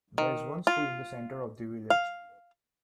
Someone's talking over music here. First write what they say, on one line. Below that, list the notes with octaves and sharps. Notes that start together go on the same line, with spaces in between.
There is one school in the centre of the village.
D#3
F4
F5